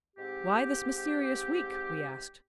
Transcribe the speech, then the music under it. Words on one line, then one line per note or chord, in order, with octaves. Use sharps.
"Why this mysterious week?" we asked.
G#2 C4 G4